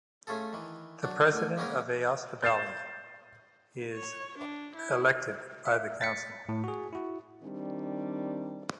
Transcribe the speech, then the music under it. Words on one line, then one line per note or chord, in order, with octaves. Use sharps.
The President of Aosta Valley is elected by the Council.
A3 C#4 F4 G#4 A4
D#3 E3
F#3 D4
A1 D3 G#5
G#3 A#3 B3 C#4 G#4 A#4
G6 A6 C7 E7
C#5
D4
E4
E5
A6 B6 C#7
A2
F#4 G#4
E4 F#4
D#3 G3 C4 D4